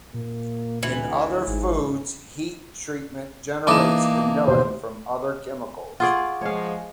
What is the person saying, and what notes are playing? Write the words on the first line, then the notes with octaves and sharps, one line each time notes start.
In other foods, heat treatment generates vanillin from other chemicals.
A#2 A#3
D2 E3
G#1 G#2
E3 A#3 D4 D#4 D6 E7
D#2 B2 C5
F4 G#4 D5 F#5 C#6
F3 G#3 C#5 F5